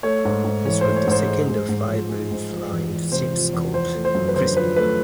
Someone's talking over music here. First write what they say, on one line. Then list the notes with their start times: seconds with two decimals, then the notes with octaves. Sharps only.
This was the second of five Booth Line ships called "Crispin".
0.03 A3 C#5
0.25 G#2
0.44 G#2
0.65 E3 C#5
0.81 A3 C5
0.96 C#5
1.07 G#2 C5
1.27 G#3
1.47 G#2
1.69 G#2
1.89 F3
2.09 G#3
2.31 G#2
2.50 F3
2.71 E2
2.92 E2
3.12 C3 C5
3.32 F3
3.53 E2
3.74 F3 C5
3.95 A3
4.05 C5
4.15 F#2
4.28 B4
4.36 D3 C5
4.56 F3 B4
4.76 A3 B4